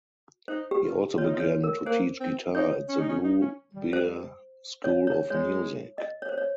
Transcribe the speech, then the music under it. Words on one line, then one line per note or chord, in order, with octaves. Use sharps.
He also began to teach guitar at the Blue Bear School of Music.
D#4 C5
G4
F4
F4 C#5
D#4
F4
C#5
A#4
A#3 C5
C4
D#4 C#5
C#4
D#4
C#4
D#4
C#4
G3
C5
C#5
C#5
G#3 C#5
D#5
C#5
C5
C#5